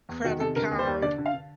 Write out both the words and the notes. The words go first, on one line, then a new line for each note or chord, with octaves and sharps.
credit card
E2
D#3 F#4
C3 A4
D3 A#4
D#2
C5
D#2
D3 D5
D3
F5
D3